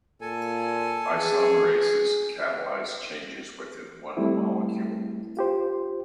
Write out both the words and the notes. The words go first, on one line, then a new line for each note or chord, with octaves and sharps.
Isomerases catalyze changes within one molecule.
A#2 A4 G#5
G#4
G3 A3 C4 E4
F4 G4 C5